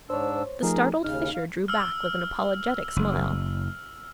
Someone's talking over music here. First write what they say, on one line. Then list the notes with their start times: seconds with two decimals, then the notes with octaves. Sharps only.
The startled Fisher drew back with an apologetic smile.
0.10 G#2 D4 C5 C#5 E6
0.62 F3 A3 D#4 G#4 A#4
1.04 D#2 C#3 D#4 F6
1.35 F5
1.68 E6 F6
2.96 F#1